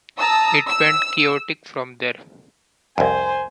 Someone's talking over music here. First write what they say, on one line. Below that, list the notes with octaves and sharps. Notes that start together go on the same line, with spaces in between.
It went chaotic from there.
A5 A#5 D#6 E6
E6
C2 F2 C5 G#5